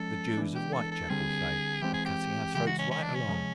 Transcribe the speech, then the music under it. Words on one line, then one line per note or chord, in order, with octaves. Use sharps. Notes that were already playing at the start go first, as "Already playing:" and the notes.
"The Jews of Whitechapel, say, a-cutting our throats right along?"
Already playing: F3 G#3 C#4 A4
E3 G#3 B3 D4
G4
A4
A4
D3 G3 C4 G#4
E3 G#3 C4 G4
G#4
G4
C#3 E3 G#3 G4
F#4
C#4
C#4
D4
C#4
C3 F3 G#3